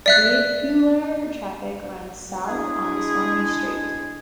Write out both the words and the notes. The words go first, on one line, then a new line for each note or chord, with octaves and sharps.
Vehicular traffic runs south on this one-way street.
D5 E5 F#6
G#3 D4 E4 G#4